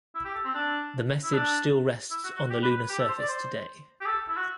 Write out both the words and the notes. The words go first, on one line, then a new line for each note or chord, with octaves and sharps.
The message still rests on the lunar surface today.
E4
G4
A4
C4
D4
E4
D4
E4
F#4
F#4
G4
B4
B4
G4
A4
C5
D5
C5
G4
A4
E4
F#4